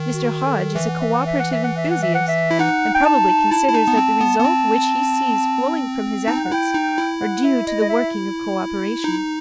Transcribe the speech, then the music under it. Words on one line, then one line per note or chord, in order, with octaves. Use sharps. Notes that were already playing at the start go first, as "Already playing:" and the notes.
Mr. Hodge is a co-operative enthusiast and probably considers that the result which he sees flowing from his efforts are due to the working of co-operation.
Already playing: D#3
F#4
A4
E3 E5
F#5
E5
F#5
E5
F#5
E5
F#5
E5
F#5
E5
F#5
E5
E4
D#4 F#5
G5
A5
E4 A5
E4
D#4
B3
C4
B3
B3
C4
D#4 A5
G5
F#5
E4 G5
D#4
E4
F#5
E5
D#5
D#5
E5
D#4